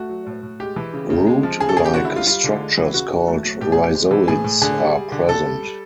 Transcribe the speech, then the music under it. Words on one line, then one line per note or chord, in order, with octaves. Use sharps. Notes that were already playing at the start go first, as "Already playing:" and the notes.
Root like structures called rhizoids are present.
Already playing: A3 F#4
F#3
A2
A2
G#3 G4
E3
C#3
C#3
G#3
F3
C#3 G#4
A4
C#3 G#4
G4
D3 F#4
E4
G3
F4
G3 F4
D3
G#3
E3
C#3 F#4
C#3
A3
F#3
A2 G4
G#4
A2
G4
G#3
E3
A2 G#4
A2
D3 G#4
G3
G3
D3
D3 A4
G3
G3